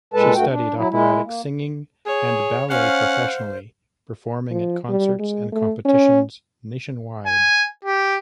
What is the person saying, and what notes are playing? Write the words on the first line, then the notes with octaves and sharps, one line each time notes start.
She studied operatic singing and ballet professionally, performing at concerts and competitions nationwide.
A#2 G#3 A4 B4 A5
G2 A3 F#4 G5
D4
F#3 E4
G#3 E4
A#3
G#4 C#5
C#4 C5 F5 F#5
F3
G3
G#3
A3
C#4
G#5
G4